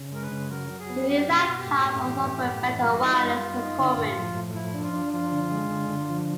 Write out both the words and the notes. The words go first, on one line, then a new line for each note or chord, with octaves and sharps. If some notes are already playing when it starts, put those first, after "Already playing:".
The new laptop also offered better wireless performance.
Already playing: C#3
G#3 A#4
B4
C#3
F#3 A#4
F#3
G#4
B3
F#3 G4
B2
G4
B2 F#4
G4
A2
A2
E3
A2
A2
E3
G3 F#4
D#4 E4
F4
G3
G3
D#4
D3
A2
F3
A2
F3 E4
D4
F4
D4
F3 F4
D3
G#3
D3
D3
F3